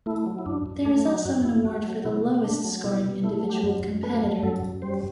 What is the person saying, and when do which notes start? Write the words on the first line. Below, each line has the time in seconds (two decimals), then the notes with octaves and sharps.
There is also an award for the lowest scoring individual competitor.
0.06 A3 E4
0.26 F#3
0.38 E4
0.46 F#2 D4
0.66 F#2
0.85 A3 D4
1.05 F#3 D4
1.25 F#2 F#4
1.45 F#2 E4
1.65 A3 F#4
1.85 F#3
2.05 B2 E4
2.25 B2
2.44 A3 D4
2.64 F#3
2.84 B2 E4
3.04 B2
3.24 A3 E4
3.44 F#3
3.50 G4
3.63 F#2
3.83 F#2
4.03 A3 B4
4.23 F#3
4.43 F#2 A4
4.63 F#2
4.82 G3 C5